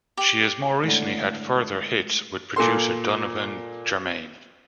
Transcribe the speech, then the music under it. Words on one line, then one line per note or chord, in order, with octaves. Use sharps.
She has more recently had further hits with producer Donovan Germain.
G4
A2 D3 G#3 A3
A#2 A4 C6